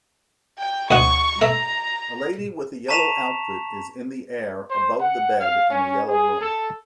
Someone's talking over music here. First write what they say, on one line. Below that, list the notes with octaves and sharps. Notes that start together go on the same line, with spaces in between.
A lady with a yellow outfit is in the air above the bed in a yellow room.
G5
D2 D#5 F#5 C#6
A3 E5 A#5
A5 A#5 C#6 B6 E7 F7
C5
F#5
F5
C#4
G#4
A4